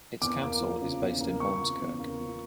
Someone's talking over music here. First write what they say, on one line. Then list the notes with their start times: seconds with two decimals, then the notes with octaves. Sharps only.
Its council is based in Ormskirk.
0.21 E2 D6
0.42 A#3
0.61 F3
0.82 C#3
1.00 E2
1.21 A#3
1.40 F3 C#6
1.60 C#3
1.80 E2
1.99 A#3
2.20 F3